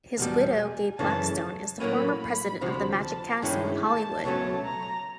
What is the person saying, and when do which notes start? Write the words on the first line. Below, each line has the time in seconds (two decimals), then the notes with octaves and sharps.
His widow, Gay Blackstone, is the former president of The Magic Castle in Hollywood.
0.17 E2 B2 G3 A5
0.58 G#5
0.98 F#2 C#3 E3 A3 A5
1.80 A2 F#3 A#3 C#4 B5
2.21 B5
2.61 D2 C3 F3 B5
3.02 A5
3.42 G2 D#3 G#3 C#4 E4 G5
3.83 A5
4.24 C#2 B2 F#3 A3 C#4 A5
4.65 A#5